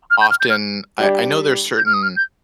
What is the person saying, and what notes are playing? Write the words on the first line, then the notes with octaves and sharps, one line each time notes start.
often, I I know there's certain,
F6
G6
F6
G6
F6
G3 D4 G4
G6
F6
D#6
F6
G6